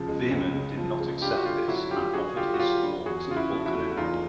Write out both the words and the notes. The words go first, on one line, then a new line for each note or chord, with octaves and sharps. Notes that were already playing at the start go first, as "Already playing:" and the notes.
Veerman did not accept this and offered his support to Balkenende.
Already playing: C#2 C#3 F3
G#3
C#2
C#3
F3
G#3
G2 F4 G4
F#4
D3 F4 G4
F#3 E4 F#4
G2 F4 G4
G2 F#4 G#4
D3 F4 G4
F#4
F#3 F4 G4
G2
E2 F#4 G#4
C#3 F4
E4 F#4
F3
E4 F#4
A3
F#4
E2 D#4 F4